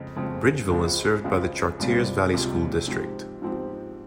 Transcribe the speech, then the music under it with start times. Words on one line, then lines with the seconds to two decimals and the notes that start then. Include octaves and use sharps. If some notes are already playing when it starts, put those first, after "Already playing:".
Bridgeville is served by the Chartiers Valley School District.
Already playing: F2 C#3 G#3 C4
0.16 F2 C#3 G#3 C4
0.70 C#2 C#3 G#3 C4 F4
1.24 C#2 C#3 G#3 C4 F4
1.79 C#2 C3 G3 C4 F4
2.33 C#2 C3 G3 C4 F4
2.88 G#2 F3 C4 G4
3.42 G#2 F3 C4 G4